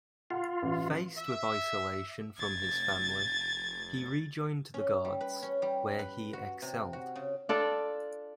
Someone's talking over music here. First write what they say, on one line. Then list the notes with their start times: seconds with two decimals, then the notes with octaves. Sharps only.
Faced with isolation from his family, he rejoined the Guards, where he excelled.
0.30 F4 F#5 C6
0.62 A1
1.17 E5
2.38 F1 G#6 A6
4.74 C#4
5.05 G3
5.21 B4
5.42 C#4
5.62 G3
5.99 B4
6.33 F#4
6.62 C3
6.93 F#4
7.16 C#3
7.49 D4 F4 A4 D5